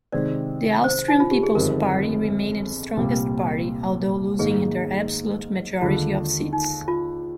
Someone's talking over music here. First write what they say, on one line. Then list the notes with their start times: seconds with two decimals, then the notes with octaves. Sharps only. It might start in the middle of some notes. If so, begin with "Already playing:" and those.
The Austrian People's Party remained strongest party, although losing their absolute majority of seats.
0.12 C3 D#3 G#3 C4 D5
0.84 C5
1.08 D#4
1.20 F4
1.31 G4
1.43 G#4
1.55 G1 F2 D#3 G#3 A#4
2.97 C2 A#2 G3 A#3
4.39 G#2 D#3 A#3 D#4 G#4
5.82 D#2 D3 G#3 F4
6.53 D#4
6.88 F4